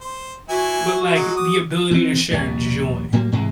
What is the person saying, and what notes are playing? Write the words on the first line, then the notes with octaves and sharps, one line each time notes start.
but like, the ability to share joy.
C5
E3 E4 F#4 G#5
F#4
F#3 G#3
D6 D#6
E3 C4
A#1 D#2 G3
A2 F#3 G3 A#3
G#2 C3 E3 G#3